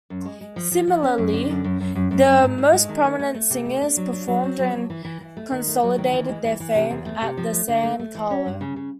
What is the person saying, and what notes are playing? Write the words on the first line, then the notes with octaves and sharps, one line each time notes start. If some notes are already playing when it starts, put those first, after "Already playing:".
Similarly the most prominent singers performed and consolidated their fame at the San Carlo.
F#2
G#3
G#3
F3
F3
F3
C#4
F#2
D3
F#2
F#2
F#2
F#2
F#2
F#2
G#2
G#2
G#3
D#3
A3
A3
A3
C3
A3
D4
F#3
D4
F#3
C4
F#3
F#3
E3
E3
E3
A3
D#3
A3
F#3
D#3
E3
G#3
E3
E3
C3
E2
A3
C3
F3
A3
D3
A3
A3
E3
C#4
G2
C#3
C#3